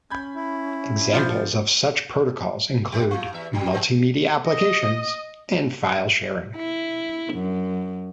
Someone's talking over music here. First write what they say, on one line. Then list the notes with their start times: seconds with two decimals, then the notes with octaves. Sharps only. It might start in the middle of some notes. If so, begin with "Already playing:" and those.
Examples of such protocols include multimedia applications and file sharing.
0.10 C#4 B5 G6 G#6
0.35 E4
1.13 F3 D4 C5 G6
2.92 G3 A3 G4
3.11 A2 F4
3.33 E2 E5
3.53 F#3 G3
3.71 F3 G#3 C4
4.47 D#5 D#6
6.56 E4
7.34 F#2